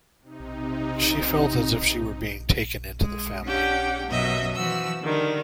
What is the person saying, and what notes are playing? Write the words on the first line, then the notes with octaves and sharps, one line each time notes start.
She felt as if she were being taken into the family.
C3 D#4
G#3
C#4 D4 G4 F#5 G5
F#2 B2 D#5 E5
E3 F3 F#4 E6
D3 D#3 G3